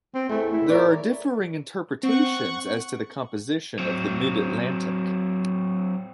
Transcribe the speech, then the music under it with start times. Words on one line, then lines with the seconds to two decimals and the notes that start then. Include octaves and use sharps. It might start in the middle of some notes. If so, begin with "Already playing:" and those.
There are differing interpretations as to the composition of the Mid-Atlantic.
0.15 C4
0.29 E2 A3
0.53 E4
0.70 A#4 C#5 D5
2.03 C4 F#5 C#6
3.79 F#3 C4